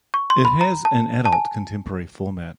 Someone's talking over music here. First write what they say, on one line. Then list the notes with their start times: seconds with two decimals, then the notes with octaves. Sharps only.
It has an adult contemporary format.
0.14 C#6
0.30 C6
0.45 B5
0.61 A#5
0.85 A5
1.25 A5
1.33 G#5